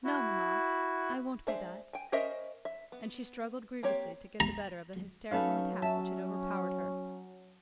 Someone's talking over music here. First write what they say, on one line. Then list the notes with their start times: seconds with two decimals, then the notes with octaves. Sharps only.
"No, mamma, I won't be that." And she struggled grievously to get the better of the hysterical attack which had overpowered her.
0.05 E4 F#4
1.47 G#3 D4 C5 E5
1.93 G5 G#5
2.12 C#4 A#4 C5 D#5 E5
2.65 E5
2.92 B3
3.83 A#3 C4 G4 C#5
4.40 A#5
5.31 F#3 C#4 D#4 A4 B4 C#5 F5
5.82 C#4 E5 A5